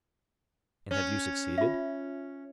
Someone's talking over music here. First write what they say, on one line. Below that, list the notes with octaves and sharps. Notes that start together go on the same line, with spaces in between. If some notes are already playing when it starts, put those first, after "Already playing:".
"And have you succeeded?"
C#4
F4 E5